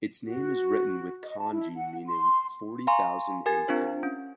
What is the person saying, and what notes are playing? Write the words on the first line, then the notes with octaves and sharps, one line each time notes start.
Its name is written with kanji meaning "forty thousand and ten".
F#4
D#5
A5
E4
F#5
C6
F5 G#5 A#5 C6 C#6
G4 A#4 G#5 G#6 A6
C4 D4 F4 C5
C#4